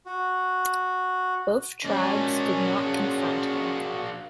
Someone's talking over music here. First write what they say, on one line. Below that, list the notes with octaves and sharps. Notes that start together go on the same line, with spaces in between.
Both tribes did not confront him.
F#4
G#3 A#3 C#4 D4 F#4
F#4 G#4 F#5